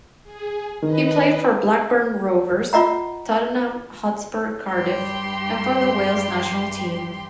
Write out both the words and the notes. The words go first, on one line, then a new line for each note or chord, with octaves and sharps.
He played for Blackburn Rovers, Tottenham Hotspur, Cardiff, and for the Wales national team.
G#4
D#3 B4 D#5
F4 D#5 F#5 A#5
G2 G4 C6